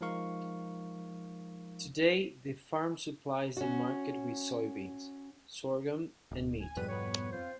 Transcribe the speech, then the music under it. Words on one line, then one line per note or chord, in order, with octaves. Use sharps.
Today the farm supplies the market with soybeans, sorghum and meat.
F3 G#3 D#4 A#4 F5 C#6
C#4 F#4
D1
G#5
F2 G#2 B2 G3 G#3 B4 D#7
G#2 B3 B4 C#5
C4 F4 C5